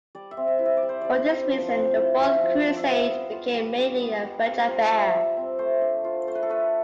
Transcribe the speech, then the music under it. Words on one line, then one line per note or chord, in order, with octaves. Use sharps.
For this reason, the Fourth Crusade became mainly a French affair.
G3 D5
E5
C4
E5
E4
E5
D5
G3
C5
G3 D5
C4
F3
C4
E4
F3 E5
F3
C4
E5
G3 F5
B3
F4
G3
G3
B3
G3
C4
F4
G3 E5
G3
C4
A3 C5
D4
F4
A3 C5
B4
A4
A3 B4